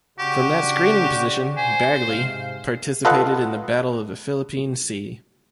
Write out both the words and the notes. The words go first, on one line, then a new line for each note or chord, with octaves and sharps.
From that screening position "Bagley" participated in the Battle of the Philippine Sea.
C#3 D4 F#4 G4
C5 G#5
G#2 C3 F5
F4 A4 B4 D#5 F5 F#5